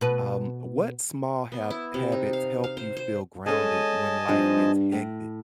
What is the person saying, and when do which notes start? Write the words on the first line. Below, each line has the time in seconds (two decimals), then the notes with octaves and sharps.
Um, what small hab habits help you feel grounded when life gets hectic?
0.01 B2 B4
1.52 B3
1.70 E4
1.94 C3
2.12 D#4
2.33 F5
2.64 F5
2.77 C5
2.97 C5
3.46 G#3 C#4 A4 D#5 G#5 A5
4.28 G2 F3 C4 D#4
4.92 A2